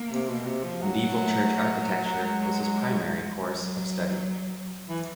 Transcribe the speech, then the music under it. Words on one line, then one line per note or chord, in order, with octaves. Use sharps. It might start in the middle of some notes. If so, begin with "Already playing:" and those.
Medieval church architecture was his primary course of study.
Already playing: A#3
C3
B2
C3
F3
F#3 A3
G#3
F#3
E3